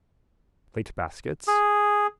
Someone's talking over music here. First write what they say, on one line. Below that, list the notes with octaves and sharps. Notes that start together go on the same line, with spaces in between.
Plait baskets.
G#4